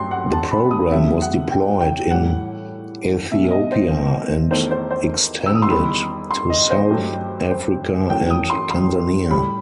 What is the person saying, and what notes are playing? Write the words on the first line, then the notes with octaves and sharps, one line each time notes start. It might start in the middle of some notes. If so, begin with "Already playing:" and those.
The programme was deployed in Ethiopia and extended to South Africa and Tanzania.
Already playing: G2 F#3 A3 C6
F#5
A5
B5
D#6
E2 C3 F#3 A3 E5
F#5
G5
G5
A2 E3 G3 F#5
B2 G3 E5
D#5
C5
E2 D#3 A3 C5
C5
C5
E6
D#6
C6
E2 D#3 G3 B5
C6
D#5
C5
G2 F#3 A3
C5
F#2 E3 A3 G5
D#6
C6
C6
A2 G3 B5